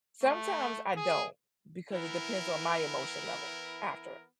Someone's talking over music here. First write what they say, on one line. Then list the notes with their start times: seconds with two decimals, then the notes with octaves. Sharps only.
Sometimes I don't, because it depends on my emotion level after
0.23 A3
0.97 G#4
1.92 E3 B3 E4 A#4